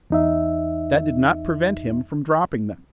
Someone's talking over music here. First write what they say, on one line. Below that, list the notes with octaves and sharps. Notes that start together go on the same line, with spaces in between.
That did not prevent him from dropping them.
E2 D#4 E5